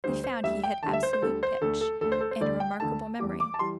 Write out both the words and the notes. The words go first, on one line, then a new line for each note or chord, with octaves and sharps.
They found he had absolute pitch, and a remarkable memory.
D2 D3 G3 C5
C5
D2 D3 G3 E5
G5
D2 D3 G3 A5
E5
C5
C5
D2 D3 G3 A4
C5
D2 D3 A3 A4
A4
D2 D3 A3 A4
C5
A4
C5
D2 D3 A3 D5
G5
D2 D3 A3 A5
E2 E3 G3 D6
D6
A5
E3 G3 C6